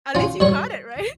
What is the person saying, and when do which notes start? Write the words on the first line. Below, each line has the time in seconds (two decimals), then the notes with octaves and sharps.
At least you caught it. Right?
0.15 C#4 F4
0.40 G3 C#5 C#6